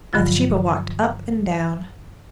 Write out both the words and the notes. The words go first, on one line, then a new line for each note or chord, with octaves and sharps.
Bathsheba walked up and down.
G2 D3 F3 F#3 F4